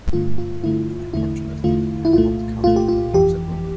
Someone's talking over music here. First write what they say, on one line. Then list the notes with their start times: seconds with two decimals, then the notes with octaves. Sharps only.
Unfortunately he had not counted on the popes at Rome.
0.13 G2 D3 A3 F4
0.38 F4
0.63 G2 D3 A3 E4
1.14 E2 D3 A3 E4
1.64 E2 D3 A3 F4
2.05 E4
2.13 C2 A#2 A3 F4
2.64 C2 A#2 A3 F4
2.76 G4
2.88 F4
3.14 G1 F2 E3 G4